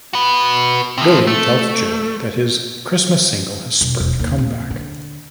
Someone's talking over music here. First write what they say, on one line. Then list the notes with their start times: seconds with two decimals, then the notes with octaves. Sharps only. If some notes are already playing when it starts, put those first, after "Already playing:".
Billy tells Joe that his Christmas single has spurred a comeback.
0.13 F#4 B4
0.98 C3 F3
1.27 A3
3.81 E1
4.00 E1
4.19 D#2
4.38 A#2
4.71 D3